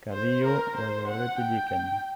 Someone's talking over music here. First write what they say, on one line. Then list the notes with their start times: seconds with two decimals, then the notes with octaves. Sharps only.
Carrillo was a Republican.
0.13 C5
0.44 A#4
0.76 C5
1.08 F#5
1.39 G5